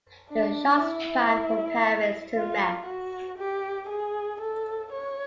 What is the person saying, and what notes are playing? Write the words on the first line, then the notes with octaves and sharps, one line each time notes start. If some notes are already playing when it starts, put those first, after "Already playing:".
The shots span from Paris to Metz.
D4
E4
F4
F#4
G4
G#4
A4
C#5